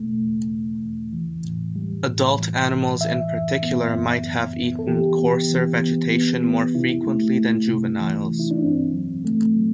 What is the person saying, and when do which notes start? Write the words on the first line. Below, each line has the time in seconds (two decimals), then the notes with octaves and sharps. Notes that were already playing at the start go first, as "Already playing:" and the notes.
Adult animals in particular might have eaten coarser vegetation more frequently than juveniles.
Already playing: E2 B2 A3
0.19 E2
0.50 E2
0.82 E2
1.13 E3
1.44 A2
1.76 G3
2.07 A2
2.38 E3
2.69 A2
3.00 E3 E5
3.32 F#2
3.62 B3
3.94 F#2
4.25 F#2
4.56 B3
4.79 A4
4.87 E3 G4
5.19 B3
5.50 E3
5.82 B3
6.13 B3
6.44 B3
6.75 C3 E4
7.06 A3
7.38 A3
7.69 C3
8.00 E3
8.31 C3
8.39 E4
8.51 D4
8.62 G2 C4
8.94 F#3
9.25 A3
9.56 F#3